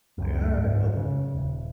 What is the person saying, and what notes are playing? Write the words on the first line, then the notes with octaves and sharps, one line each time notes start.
like, "Alright, well"
F#1 C#2 F#2
F1 G#2
C#3
D#1